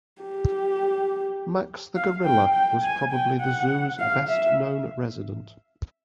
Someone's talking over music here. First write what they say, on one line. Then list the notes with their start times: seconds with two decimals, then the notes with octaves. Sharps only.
Max the gorilla was probably the zoo's best known resident.
0.22 G4
1.96 F5
2.24 G5
2.54 G5
2.83 G#5
3.12 G5
3.41 F#5
3.99 F5
4.28 E5